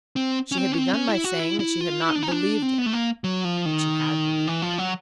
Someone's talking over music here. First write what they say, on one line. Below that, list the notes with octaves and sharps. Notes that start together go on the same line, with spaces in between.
She had begun by saying that she had not believed it;--but she had believed it.
C4
C#4
C4
C#4
C4
C#4
E4
F#4
E4
E4
F4
E4
D#4
D4
D#4
C#4
D4
C4
B3
A3
A#3
F#3
F3
D#3
E3
F3
F#3